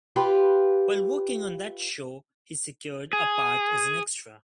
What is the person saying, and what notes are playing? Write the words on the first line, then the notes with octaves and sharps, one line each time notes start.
While working on that show, he secured a part as an extra.
F4 G4 B4
G#4